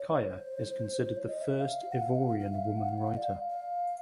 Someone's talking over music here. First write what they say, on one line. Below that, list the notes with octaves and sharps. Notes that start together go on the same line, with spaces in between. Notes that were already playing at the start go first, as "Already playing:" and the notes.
Kaya is considered the first Ivorian woman writer.
Already playing: C#5
C5
C5
C#5
D#5
E5
F5
F5
F#5
F5
F#5
F5
F5
E5
F5
F#5
F5
F#5
F5
D5
F5
F5